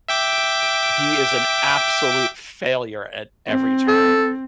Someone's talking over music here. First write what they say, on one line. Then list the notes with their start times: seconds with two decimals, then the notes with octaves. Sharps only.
he is an absolute failure at every turn.
0.08 E5 G5 D6
3.47 C4
3.88 A4